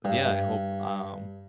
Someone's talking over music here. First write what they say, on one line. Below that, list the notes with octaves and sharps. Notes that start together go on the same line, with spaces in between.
but yeah, I hope, um,
G2